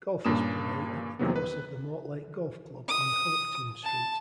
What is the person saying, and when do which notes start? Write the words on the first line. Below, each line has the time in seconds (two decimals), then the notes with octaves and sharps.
Golfers play at the course of the Mortlake Golf Club on Hopetoun Street.
0.25 G2 A#2 A#3 C#4 D#6 E7
1.19 E2 C3 D#3 F#3 A#3 B3
1.36 B4
2.88 D#6
3.83 A5